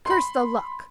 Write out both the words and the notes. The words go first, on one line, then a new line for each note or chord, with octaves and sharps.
Curse the luck!
B5 C6